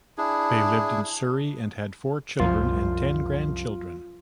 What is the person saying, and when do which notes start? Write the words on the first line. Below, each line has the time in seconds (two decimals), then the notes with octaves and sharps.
They lived in Surrey and had four children and ten grandchildren.
0.18 D4 E4 G#4
2.40 C2 F#2 F3 F4